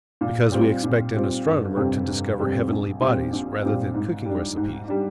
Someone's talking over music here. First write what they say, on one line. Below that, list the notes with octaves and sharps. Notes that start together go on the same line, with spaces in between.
Because we expect an astronomer to discover heavenly bodies rather than cooking recipes.
A#2
G3 C4 F4
A#2
G3 C4 F4
G1
F2 C3 G3 C4
G1
F2 C3 G3 C4
A#1
A#2 G3 C4
A#1
A#2 G3 C4
G#2
G3 D4
G#2
G3 D4